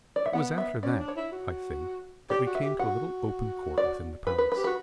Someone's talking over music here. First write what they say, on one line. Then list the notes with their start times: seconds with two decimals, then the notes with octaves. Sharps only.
'It was after that, I think, that we came to a little open court within the palace.
0.16 D5
0.26 E5
0.33 B3 F#5
0.58 E5
0.83 C#4 D5
1.00 D4
1.08 C#5
1.16 E4
1.32 F#4
2.30 G4 D5
2.47 F#4
2.55 E5
2.63 G4
2.79 F#4 F#5
3.78 D5
4.27 B4
4.38 B4
4.52 B4
4.57 G4
4.64 F#4 B4